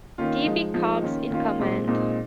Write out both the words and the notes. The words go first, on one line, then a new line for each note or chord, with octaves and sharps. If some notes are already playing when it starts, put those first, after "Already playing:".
D. V. Cox in command.
D#3 A#3 C#4 F4
F3 G#3 D#4
F3 G#3 D#4
D#3 A#3 C#4 F4
D#3 A#3 C#4 F4
A#2 G#3 C4 D#4
A#2 G#3 C4 D#4